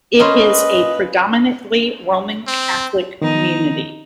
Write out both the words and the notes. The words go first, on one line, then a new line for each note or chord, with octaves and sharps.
It is a predominantly Roman Catholic Community.
A#3 C#4 F4 A#4 B4 D#5 B5 C6
C4
D#3 F3 B3 D#4